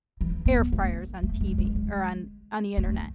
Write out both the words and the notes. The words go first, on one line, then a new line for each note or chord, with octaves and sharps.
air fryers on TV or on on the Internet,
E3
B3
A3
A3
G#3
G#3
G#3
A3